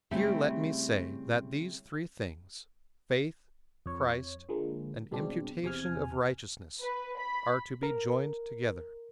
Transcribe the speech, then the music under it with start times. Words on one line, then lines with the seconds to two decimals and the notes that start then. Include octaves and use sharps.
Here let me say, that these three things, faith, Christ, and imputation of righteousness, are to be joined together.
0.11 C#3 G3 A3 C4 E4 G4
3.86 F2 C#5
4.49 D3 F3 G#3 A#3
5.11 G2 B2 G#3 C4 D4
5.64 E2 C3 G#5 F6
6.80 B4
7.18 B5
7.83 A#4